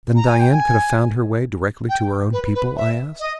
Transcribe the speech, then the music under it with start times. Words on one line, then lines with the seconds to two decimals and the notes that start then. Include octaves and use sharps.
"Then Dian could have found her way directly to her own people?" I asked.
0.15 A#5
0.27 G#5
0.40 G5
0.52 G#5
1.89 G5
2.33 B4
2.55 B4
2.77 E5
3.20 D#5